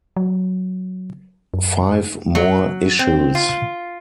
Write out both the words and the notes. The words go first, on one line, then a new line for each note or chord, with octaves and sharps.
Five more issues!
F#3
F#2
F#3
C4
F4